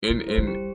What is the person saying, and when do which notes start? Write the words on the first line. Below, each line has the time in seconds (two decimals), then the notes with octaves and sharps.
in in
0.10 G3 E4
0.28 C5
0.38 G3
0.47 G4